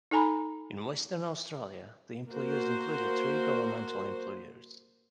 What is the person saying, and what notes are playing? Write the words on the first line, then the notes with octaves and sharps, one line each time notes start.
In Western Australia, the employers included three governmental employers.
D#4 A4 G#5 A#5 B5
A#3 F#4 C5